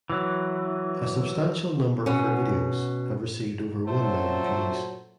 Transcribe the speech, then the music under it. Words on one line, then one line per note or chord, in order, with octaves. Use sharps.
A substantial number of her videos have received over one million views.
E3 F#3
B2 C#4
A#2 F#3 A3 A4 C5